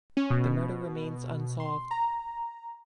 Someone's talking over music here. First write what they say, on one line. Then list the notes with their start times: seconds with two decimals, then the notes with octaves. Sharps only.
The murder remains unsolved.
0.17 C#4
0.30 B2
1.60 C6
1.91 A#5